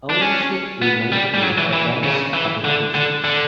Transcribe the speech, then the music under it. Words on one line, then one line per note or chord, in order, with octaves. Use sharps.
Ownership remained with Advance Publications.
D4
C#4
B3
G3
G3
F#3
E3
E3
C#3
E3
D3
D3
D3